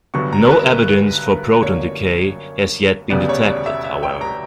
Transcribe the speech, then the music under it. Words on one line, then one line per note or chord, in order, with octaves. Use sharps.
No evidence for proton decay has yet been detected, however.
G1 G2 D3 F#3 B3 C#6
A#5
A#4
B4
A#4
B4
F#2 D3 G3 A#3 C#5
E1 D2 C#3 G3 B3 D5
C#5
D5
E5
E5
G5
A#5